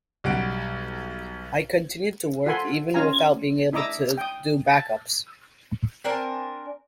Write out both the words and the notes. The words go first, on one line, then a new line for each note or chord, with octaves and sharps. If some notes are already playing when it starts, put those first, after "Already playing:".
I continued to work even without being able to do backups.
B1 G3 F#5 D7
F4 A4 F#5 G#5 B5 C6
C#4 F4 F5 G#5 A#5
D4 E4 D#5 A#5 D6 E6
G5 D#6
A5
C4 D4 A#4 G#5